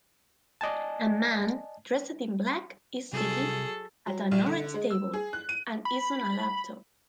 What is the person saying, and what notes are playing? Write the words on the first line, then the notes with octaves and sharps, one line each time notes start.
A man dressed in black is sitting at an orange table and is on a laptop.
D5 D#5 G#5 A5
C3 F#3 G3 G#4 A4
F#3
A#1
D3
G#3
E6
G#4
F#6
D#7
B5